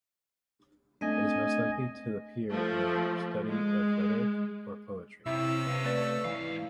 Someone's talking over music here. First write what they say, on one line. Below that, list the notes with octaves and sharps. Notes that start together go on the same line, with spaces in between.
It is most likely to appear in a study of rhetoric or poetry.
A3 C4 D4 D#5 G#5
F3 A3
G#3
C3 C#4 E4 E5 E6
C3 B4 F5
A3 B4 D5
G#2 E3 F5